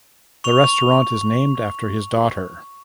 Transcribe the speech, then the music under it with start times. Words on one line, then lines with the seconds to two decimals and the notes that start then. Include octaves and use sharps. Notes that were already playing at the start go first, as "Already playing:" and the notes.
The restaurant is named after his daughter.
0.44 C#6 F7